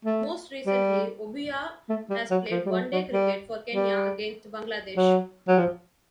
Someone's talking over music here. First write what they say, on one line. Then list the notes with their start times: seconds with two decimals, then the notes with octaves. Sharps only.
Most recently, Obuya has played one-day cricket for Kenya against Bangladesh.
0.05 A3
0.67 G3
1.89 A3
2.10 G3
2.31 F#3
2.51 F3
2.66 G3
2.72 F#3
2.92 F#3
3.13 G3
3.74 G3
4.97 F#3
5.48 F#3
5.58 F3